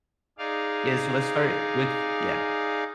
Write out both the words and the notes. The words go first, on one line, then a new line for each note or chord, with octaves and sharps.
Yeah, so let's start with yeah.
D#4 G#4 D5 F5